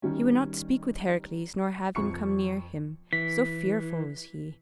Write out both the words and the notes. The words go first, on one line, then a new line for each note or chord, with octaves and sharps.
He would not speak with Heracles nor have him come near him, so fearful was he.
D#3 G3 C#4
F2 F3 C#6 C#7
E3 B6